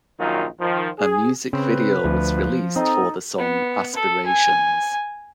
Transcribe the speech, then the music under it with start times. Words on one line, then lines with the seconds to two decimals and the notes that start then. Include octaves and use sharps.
A music video was released for the song "Aspirations".
0.19 A#1 F#2 D#3 F#3 D#4 F4
0.59 D#3 F3
0.98 G#4
1.53 C#3 C4 B4
2.04 D2 F3
2.76 C4 D#4 A4 D#5
3.38 B3
3.95 A4
4.26 G#5